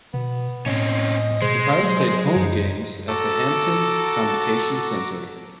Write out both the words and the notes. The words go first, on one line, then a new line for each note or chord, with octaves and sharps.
The Pirates played home games at the Hampton Convocation Center.
B2 B3
A2 C4 C#4 D#5
B2 G#3 C5
F#3
F#2 D#4
F#4 A4 A#5 D6